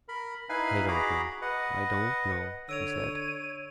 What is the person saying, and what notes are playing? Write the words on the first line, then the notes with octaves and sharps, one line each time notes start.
"I don't know--I don't know," he said.
A#4 B5
D#4 E4 B4 F5 G#5 B5
F#4 G#4 A#5 B5 D6
B4 D#5 F#5
D3 C#5 E6 D7 D#7 F7